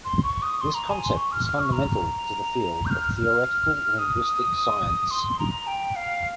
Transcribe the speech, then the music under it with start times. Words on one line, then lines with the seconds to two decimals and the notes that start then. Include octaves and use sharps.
This concept is fundamental to the field of Theoretical Linguistic Science.
0.05 C6
0.23 C#6
0.42 D#6
0.61 C6
0.74 A#5
0.90 G#5
1.03 C6
1.16 C#6
1.32 F6
1.45 F6
1.59 C#6
1.73 A#5
2.86 G6
2.90 F6
3.98 D#6
5.11 C6
5.39 A#5
5.67 G5
5.96 F5